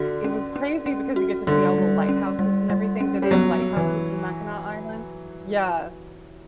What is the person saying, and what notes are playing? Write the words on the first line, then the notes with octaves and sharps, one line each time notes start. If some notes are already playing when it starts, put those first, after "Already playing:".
it was crazy because you get to see all the lighthouses and everything. Do they have lighthouses in Mackinac Island? Yeah,
Already playing: D3 F#4
C#4
C#4
C#4
F#4
D3 G3
G3
C#4
G3
G3
C#4
G3
F#3 B3
B3
E3